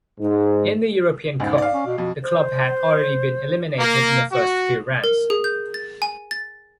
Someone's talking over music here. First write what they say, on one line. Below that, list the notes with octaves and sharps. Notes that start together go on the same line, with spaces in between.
In the European Cup, the club had already been eliminated in the first few rounds.
G#2
E1 C#2 G#2
D5 F5
C#4
B2
F2 B2
C5
A#3
F#4
A#4
G#4
G6
A6
G#5
A6